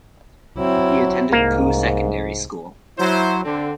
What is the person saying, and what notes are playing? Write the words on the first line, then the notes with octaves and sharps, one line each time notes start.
He attended Poo Secondary School.
F#3 C4 E4
C2 G#2 A#3
F#3 E4 C5
D3 C4